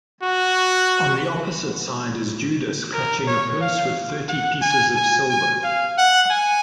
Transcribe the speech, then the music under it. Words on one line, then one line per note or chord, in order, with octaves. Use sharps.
On the opposite side is Judas clutching a purse with thirty pieces of silver.
F#4
A#4
C#5
F5
F#5
G#5
G#5
G#5
F5
F#5
G#5